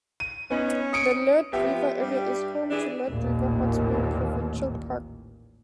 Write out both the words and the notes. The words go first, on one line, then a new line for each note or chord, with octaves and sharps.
The Liard River area is home to Liard River Hot Springs Provincial Park.
D#7
B3 C#4 D#4
D#6 C#7 D7
F3 B3 G4 E5
G2 G3
E3 D4 G#4
A1 D#2 A#2